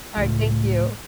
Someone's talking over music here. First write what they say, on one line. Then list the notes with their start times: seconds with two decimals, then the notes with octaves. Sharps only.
Alright, thank you.
0.17 C#2 A2